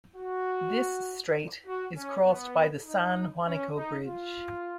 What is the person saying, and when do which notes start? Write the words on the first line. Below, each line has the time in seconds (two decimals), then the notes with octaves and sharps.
This strait is crossed by the San Juanico Bridge.
0.16 F#4
1.66 F#4
1.96 C#4
2.25 B3
2.86 D#4
3.45 C#4
3.75 D#4
4.05 F4